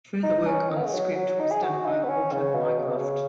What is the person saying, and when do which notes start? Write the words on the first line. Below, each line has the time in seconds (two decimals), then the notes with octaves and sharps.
Further work on the script was done by Walter Mycroft.
0.24 D#4
0.47 C#4
0.70 D#3
0.77 B3
0.86 G#3
0.93 F#3
1.16 F#3
1.39 D#4
1.51 G#4
1.63 F#4
1.85 D#4
2.04 B3
2.09 C#4
2.32 C#3
2.55 B2
2.79 C#3
2.88 B2
2.97 C#3